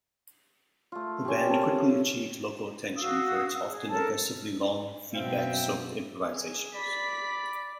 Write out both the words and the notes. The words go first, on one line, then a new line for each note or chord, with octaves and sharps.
The band quickly achieved local attention for its often aggressively long, feedback-soaked improvisations.
A3 F4
C#4 G4
C4 A#4 A5
F#4 F5 D#6 E6
G#4
A4 A#4 A5
F#2 B2 C4 E5 F5 G5
G#4
D5 B5 B6